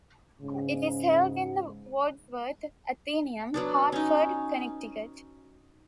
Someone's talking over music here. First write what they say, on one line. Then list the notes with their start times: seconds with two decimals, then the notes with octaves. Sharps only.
It is held in the Wadsworth Atheneum, Hartford, Connecticut.
0.40 G#2 C#3
3.54 F#3 B3 D4
3.92 C#4 D#4